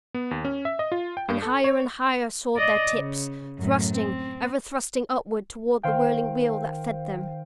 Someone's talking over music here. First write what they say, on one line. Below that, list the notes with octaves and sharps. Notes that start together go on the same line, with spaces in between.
And higher and higher soared their tips, thrusting, ever thrusting upward toward the whirling wheel that fed them.
B3
D#2
C#4
E5
D#5
F4
G5
G2
A4
C#5
D5 D#5
C#3
F#2 A2
C4
D#3 C5 F5 G5